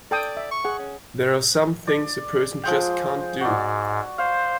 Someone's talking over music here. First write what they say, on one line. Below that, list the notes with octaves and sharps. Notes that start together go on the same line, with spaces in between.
There are some things a person just can't do!
A4 D5 G5 D#6
E5
C#6
G#4 F#5
C#4
D5
F3 G#3 G5
G#2 F#4 D5
C5 F5